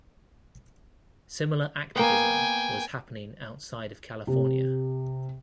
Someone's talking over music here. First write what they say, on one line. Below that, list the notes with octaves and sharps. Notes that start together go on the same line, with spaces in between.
Similar activism was happening outside of California.
A#3 B3 G5 G#5
C3